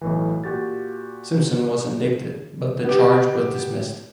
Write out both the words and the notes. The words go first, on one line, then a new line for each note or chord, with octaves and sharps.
Simpson was indicted but the charge was dismissed.
B1 A2 E3
A#2 F#4 G4 A6
B3 G4